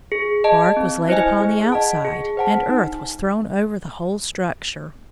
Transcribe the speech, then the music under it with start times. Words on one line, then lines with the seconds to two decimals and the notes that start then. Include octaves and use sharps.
Bark was laid upon the outside, and earth was thrown over the whole structure.
0.12 G#4
0.44 D#5 A5
0.77 C4
1.08 E4 C5 D#5 G#5
1.41 G#4
1.72 D#5 F#5 A5
2.05 G#4
2.37 C5 F#5 A5
2.69 D#4